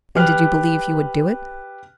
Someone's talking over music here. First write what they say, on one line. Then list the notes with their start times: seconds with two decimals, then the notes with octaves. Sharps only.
"And did you believe he would do it?"
0.15 G4 B4 F6 F#6